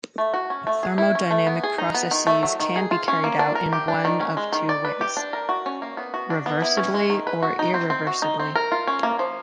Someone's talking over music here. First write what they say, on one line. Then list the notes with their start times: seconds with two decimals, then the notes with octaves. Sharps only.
Thermodynamic processes can be carried out in one of two ways: reversibly or irreversibly.
0.18 A3
0.34 F#4
0.50 C#4
0.67 A3
0.83 G#4
0.98 E4
1.15 C#4
1.31 A3
1.47 B3
1.64 G#4
1.78 D#4
1.94 B3
2.11 D#3
2.27 A3
2.43 F#3
2.60 D#3
2.76 G#4
2.91 F4
3.08 C#4
3.24 A#3
3.39 D4
3.55 A#4
3.73 G4
3.88 D4
4.05 D#3
4.21 C#4
4.37 G#3
4.52 D#3
4.69 D5
4.85 B4
5.01 G4
5.17 D4
5.33 A#4
5.49 F#4
5.66 C#4
5.82 A#3
5.97 B3
6.14 F#4
6.30 D4
6.46 B3
6.62 E4
6.77 C#4
6.94 G#3
7.10 D#3
7.27 B4
7.43 F#4
7.59 D#4
7.74 C4
7.90 C4
8.07 F#4
8.22 D#4
8.40 C4
8.55 A#4
8.72 F4
8.87 C#4
9.03 A#3
9.19 F3